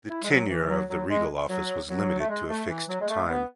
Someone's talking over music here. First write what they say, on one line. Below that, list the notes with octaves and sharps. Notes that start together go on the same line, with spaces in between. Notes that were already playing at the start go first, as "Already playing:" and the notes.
The tenure of the regal office was limited to a fixed time.
E4
G#3
F#3
E3
E3
F#3
F#3
G#3
F#3
F#3
A3
G#3
A3
E3
F#3
G#3
A3
B3